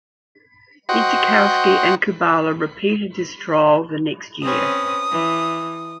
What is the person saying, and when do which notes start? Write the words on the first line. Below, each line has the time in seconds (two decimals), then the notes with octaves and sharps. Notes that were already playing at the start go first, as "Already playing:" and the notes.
Idzikowski and Kubala repeated this trial the next year.
0.89 F#4 C5 D#5 F#5 G5
4.43 C4 C#4 B4 D#6
5.11 E3